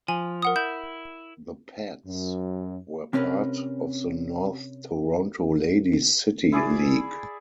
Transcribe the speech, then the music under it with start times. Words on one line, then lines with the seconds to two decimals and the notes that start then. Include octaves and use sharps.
The Pats were part of the North Toronto Ladies' City League.
0.08 F3 G#5
0.42 A#4 F#5 D#6
0.56 E4 G6
2.06 F#2
3.13 C3 C4 C#4 F#4 A#4 B4
6.52 E4 G#4 D5